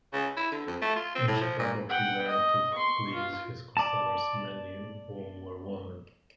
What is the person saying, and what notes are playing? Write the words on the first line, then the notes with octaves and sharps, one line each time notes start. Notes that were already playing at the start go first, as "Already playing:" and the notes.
In Chicago he learned to please his customers, many of whom were women.
C#3
E4
D3
F2
A3
F4
C4
A2
F3
A#2
F#5 G5
D#5
C6 C#6
F4
D5 A5